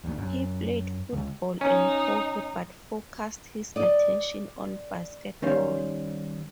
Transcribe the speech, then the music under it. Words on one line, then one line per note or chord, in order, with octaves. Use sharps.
He played football and hockey but focused his attention on basketball.
D2
F#2
C#2
C#4 D#4
D5 D#5
D#3 G3 C#4 C5 F5